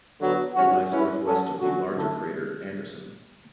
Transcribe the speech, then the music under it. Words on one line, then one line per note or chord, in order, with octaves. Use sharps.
It lies to the northwest of the larger crater Anderson.
D3 F#3 B3 F#4
G#2 F#3 C#4 F#4
G#3 C#4 E4 B4
F#3 C#4 F#4 A4
D3 F#3 C#4 F#4
F#2 D3 A3 E4 A4